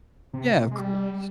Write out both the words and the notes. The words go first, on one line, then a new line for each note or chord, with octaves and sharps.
Yeah, of course.
C3
G#3
G3